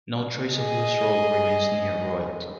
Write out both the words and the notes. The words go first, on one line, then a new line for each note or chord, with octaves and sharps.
No trace of this road remains near Royalton.
G#4 D#5